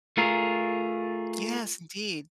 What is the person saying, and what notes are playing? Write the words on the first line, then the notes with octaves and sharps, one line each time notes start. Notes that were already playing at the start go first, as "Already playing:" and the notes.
Yes, indeed.
A3 F4 G#4 A#4